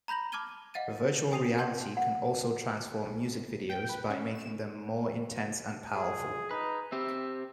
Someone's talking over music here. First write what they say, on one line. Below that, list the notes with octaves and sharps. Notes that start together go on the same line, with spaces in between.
Virtual reality can also transform music videos by making them more intense and powerful.
A#5 B5 G6 A#6 F#7
A5 D6 F6 G#6 D#7 G7
D#5 F5 F#5 A6 D#7
G5 G#5 D#6 C7 D#7 F7
F#5 G5 A5 C6 G6 G#6
F#5
A#1
G5
B4
C#4
E7
G#4
D#4 B4
C4 G4 E5